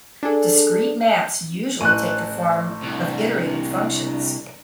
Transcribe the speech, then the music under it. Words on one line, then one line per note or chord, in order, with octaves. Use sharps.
Discrete maps usually take the form of iterated functions.
D4 G#4 A4
A1 C5 A5 F#6 D#7
C2 D4 A#5